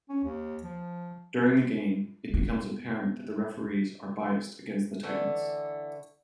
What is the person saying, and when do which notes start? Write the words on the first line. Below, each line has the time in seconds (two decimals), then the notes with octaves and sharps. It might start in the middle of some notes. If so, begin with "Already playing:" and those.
During the game, it becomes apparent that the referees are biased against the Titans.
0.09 C#4
0.24 D#2
0.64 F3
2.34 B3
5.03 D3 E3 A3